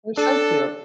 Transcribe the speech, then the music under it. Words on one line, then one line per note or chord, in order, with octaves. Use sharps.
They're so cute.
D4 A4